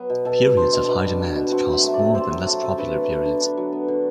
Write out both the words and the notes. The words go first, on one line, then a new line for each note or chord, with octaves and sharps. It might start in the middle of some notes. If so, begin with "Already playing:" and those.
Periods of high demand cost more than less popular periods.
Already playing: F#3 B3
B2
B2 A4
G3
D4 C5
B2
B2 B4
G3
D4
B2
C4 F#4
F#3 E5
A3
D5
C3
C4 C5
F#3
A3 A4
C3
D4 B4
F#3
B3
D3
D4
F#3
B3
D3